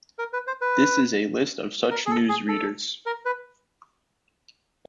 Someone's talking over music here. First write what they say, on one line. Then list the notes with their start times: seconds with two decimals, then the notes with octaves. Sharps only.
This is a list of such newsreaders.
0.19 A#4
0.33 B4
0.47 C5
0.61 B4
1.91 A#4
2.06 G#4
2.11 A4
2.29 G#4
2.48 A4
3.06 A#4
3.25 B4